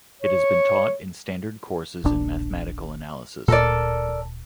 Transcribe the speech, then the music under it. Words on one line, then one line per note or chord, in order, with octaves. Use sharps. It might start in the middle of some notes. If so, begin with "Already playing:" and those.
It has been taught in standard courses in mathematical analysis.
C#5
D#1 A#1 D4
D1 A#2 A4 A#4 D5